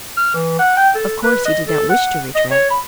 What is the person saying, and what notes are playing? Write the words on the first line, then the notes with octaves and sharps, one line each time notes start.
Of course he did not wish to retract.
F6
E3
F#5
G5
A4
B4
D#5
A4
F#5
D#5
C#5
B5